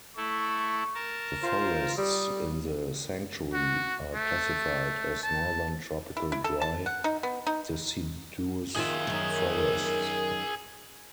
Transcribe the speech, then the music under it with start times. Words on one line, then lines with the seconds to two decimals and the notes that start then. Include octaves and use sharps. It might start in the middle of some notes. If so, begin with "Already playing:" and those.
The forests in the sanctuary are classified as Northern Tropical Dry Deciduous Forests.
0.17 A3 E4 A4 C#6
0.95 A#4 A5
1.43 F4 C5
1.98 G3 D#6
3.53 F#4
4.14 A3
5.23 A5
6.17 E4
6.32 E4
6.44 A4
6.62 A5
6.86 F#5
7.04 D#4
7.23 B3
7.47 D#4
8.76 D#3 F4 G#4 E5
9.07 F#2 D#3